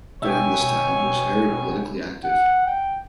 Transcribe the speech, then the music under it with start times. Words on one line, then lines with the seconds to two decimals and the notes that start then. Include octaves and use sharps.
During this time he was very politically active.
0.22 B2 C#5 E5 G5 G#5
2.24 F#5
2.66 G5